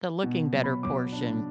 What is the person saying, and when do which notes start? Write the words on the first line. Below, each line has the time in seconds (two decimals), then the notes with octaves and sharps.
The looking-better portion
0.24 B2
0.53 F#3
0.64 B5
0.83 F#3 D6
1.12 D4